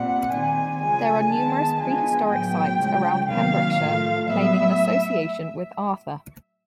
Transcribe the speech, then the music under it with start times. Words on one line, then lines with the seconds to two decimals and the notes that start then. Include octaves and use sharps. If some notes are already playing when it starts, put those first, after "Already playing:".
There are numerous prehistoric sites around Pembrokeshire, claiming an association with Arthur.
Already playing: A#2 G3 C4 F#5
0.31 D#3 G3 C4 G#5
0.81 C#3 F3 G#3 G#5
1.30 D#3 G#3 B3 A5
1.80 D3 F3 G#3 B3 G#5
2.29 A2 F#3 B3 G5
2.79 C#3 F3 G#3
3.29 C3 D#3 F#3 A#3 F5
3.78 A2 F3 A3
4.28 A2 F#3 B3 E5